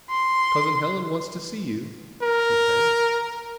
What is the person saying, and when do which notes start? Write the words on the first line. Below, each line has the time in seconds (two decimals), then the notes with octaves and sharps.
"Cousin Helen wants to see you," he said.
0.10 C6
2.23 A#4